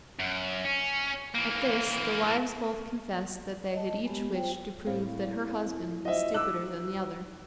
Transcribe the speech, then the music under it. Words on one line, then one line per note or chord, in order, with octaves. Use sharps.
At this the wives both confessed that they had each wished to prove that her husband was stupider than the other.
F#2
C#4
E3 A#3
D#5 A5
G#3 B3 G4
F4 C5 G5
A2 C4 F5
F4 F#4 C5 D#5 E5
G3 D#4 D6 E6 F#6